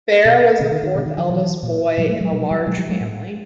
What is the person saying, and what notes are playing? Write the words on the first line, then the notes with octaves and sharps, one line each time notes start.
Farah was the fourth eldest boy in a large family.
B2
B2 D3
D#3
D#3
B2 D3
D#3
D#3 F3
B2 E3 F#3
A#2
A#2 F3 G3
G3 A3
F#3 G#3
B2 G3
F#3
F3 G3
B2 F#3 G#3
F3 G3
F#3 G#3
A2